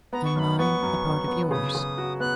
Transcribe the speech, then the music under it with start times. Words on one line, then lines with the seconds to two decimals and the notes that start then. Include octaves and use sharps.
"And mine a part of yours?"
0.13 B3 A#5
0.25 C#6
0.36 F#2 C#6
0.39 B5
0.59 B3 C#6
0.82 F#2
1.04 F#2
1.28 B3
1.51 C#3 D#6
1.75 C#3
1.98 F#4
2.20 B3 F#6